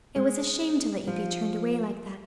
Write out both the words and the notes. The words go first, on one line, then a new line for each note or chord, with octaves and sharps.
It was a shame to let you be turned away like that.
G#3
F3